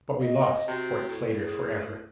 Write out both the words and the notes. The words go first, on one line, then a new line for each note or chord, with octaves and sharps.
But we lost Fort Slatter forever.
D#5
C3 F#4
A2
G#4